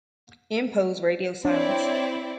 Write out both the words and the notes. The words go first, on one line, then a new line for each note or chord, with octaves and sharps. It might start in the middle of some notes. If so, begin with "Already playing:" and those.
Impose radio silence.
C4 D4 E4 C#5 D5